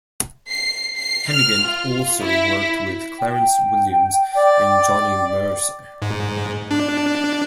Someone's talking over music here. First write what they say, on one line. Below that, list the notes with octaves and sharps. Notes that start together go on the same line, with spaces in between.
Hanighen also worked with Clarence Williams and Johnny Mercer.
C7
C7
F6
F4
E4
G5
D5
G#2
D4